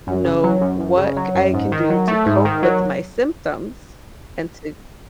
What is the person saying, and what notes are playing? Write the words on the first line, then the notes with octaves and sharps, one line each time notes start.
you know, what c I can do to cope with my symptoms and to
F#2
C#3
F#3
F#2
F#2
C#3
F#3
F#2
G#2
D#3
F#3
A3
G#2
D#3
F#3